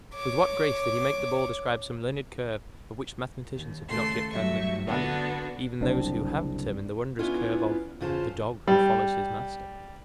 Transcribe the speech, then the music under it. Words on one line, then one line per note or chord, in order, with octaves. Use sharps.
With what grace did he make the ball describe some learned curve of which mathematicians have not yet calculated the value--even those who have determined the wondrous curve of "the dog who follows his master!"
C#5 D6
D#2
D#2 C#3 A3 A4 C6
G2 F#3 A3 E5 C#6
D3 B3 D4 F#4
F#1 C2 C4 D4
B3 C#4 D4 E4 F4
E2 C#3 F4 C5 A5
G3